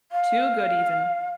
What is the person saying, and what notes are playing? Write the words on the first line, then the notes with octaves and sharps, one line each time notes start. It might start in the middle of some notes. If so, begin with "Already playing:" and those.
too good, even.
F5